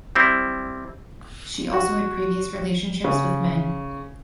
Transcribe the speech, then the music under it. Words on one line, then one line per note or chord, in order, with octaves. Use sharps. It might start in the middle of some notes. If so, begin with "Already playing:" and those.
She also had previous relationships with men.
G3 C4 E4
F#4
C#3